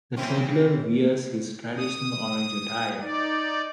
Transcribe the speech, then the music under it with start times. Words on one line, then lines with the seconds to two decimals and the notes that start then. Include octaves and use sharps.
The toddler wears his traditional orange attire.
0.16 E3 C4 C#4
1.76 D#6
3.01 D#4 D5